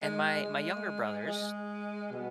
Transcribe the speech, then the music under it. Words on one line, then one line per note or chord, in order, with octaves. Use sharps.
And my my younger brothers,
G#3
G#3
G#3
B2